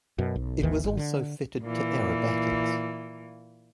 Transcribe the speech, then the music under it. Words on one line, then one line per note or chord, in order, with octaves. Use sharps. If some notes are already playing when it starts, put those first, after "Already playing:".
It was also fitted to aerobatics.
F#2 B2
B1
G#1 D#2 D#3 E3
G#1
D3
A#2 E3